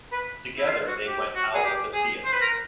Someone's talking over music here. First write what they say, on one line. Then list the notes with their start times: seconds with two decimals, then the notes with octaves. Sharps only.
Together they went out of the theatre.
0.12 B4
0.58 E4
0.68 F4
0.88 F#4
1.07 G4
1.35 F#4
1.55 G#4
1.64 G4
1.94 G#4
2.25 C5
2.33 B4
2.41 A#4